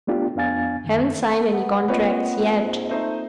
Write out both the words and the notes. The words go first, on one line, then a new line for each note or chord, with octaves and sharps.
'Haven't signed any contracts yet.
A3 B3 D4 F4 G4
F2 B3 D4 F5 G#5 A6
F#2 D#3
B3
A#3 C4 F4 B4 C#5 D#5
G#2
A3 D#4 C5 D#5